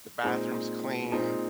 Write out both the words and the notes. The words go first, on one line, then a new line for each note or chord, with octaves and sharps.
the bathroom's clean,
A#2 G#3 C4 D#4
A#2 G#3 C4 D#4